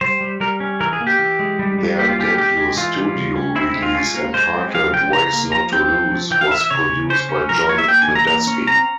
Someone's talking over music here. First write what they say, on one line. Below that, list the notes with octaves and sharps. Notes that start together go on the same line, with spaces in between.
Their debut studio release, entitled "Ways Not to Lose", was produced by John Medeski.
G3 C5
G3
G3 A#4
C#4
E3 A#4
G#4
A#3
G4
E3
G#3
G3
G3
A#3 G4
F4
C#4 G4
G#3 G4
G#3
E3 F4
G3
C#3
C#4
C4 E4
E4
G#3
F4
C#4 F4
A#3
G#3 C5
C4
F3 F5
F3 G5
C#3 A#5
A#3
F3 A#5
C4 G5
F3
F3
E3 G5
F5
E3 E5
E5
C#3 C#5
C#3
C#4 C5
C#4
F3 A#4
A#4
A#3 C#5
E5
A#3 G5
G#5
E3
A#5
A#3 A#5
C#4
C4 A#5